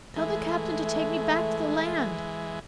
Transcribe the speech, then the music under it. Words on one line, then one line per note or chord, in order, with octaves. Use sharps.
Tell the captain to take me back to the land.
E3 G#3 A3